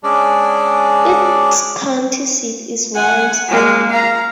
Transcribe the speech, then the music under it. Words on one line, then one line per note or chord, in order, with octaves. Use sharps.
Its county seat is Warrensburg.
G#3 C#4 D4 D5
F#5 G#5
G#3 A#3
F5 A#5